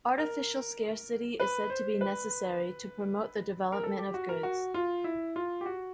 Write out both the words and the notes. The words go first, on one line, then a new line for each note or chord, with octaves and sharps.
Artificial scarcity is said to be necessary to promote the development of goods.
A#4
B4
C5
B4
A#4
A4
G4
F#4
A#4
F#4
F4
E4
F4
G4
F#4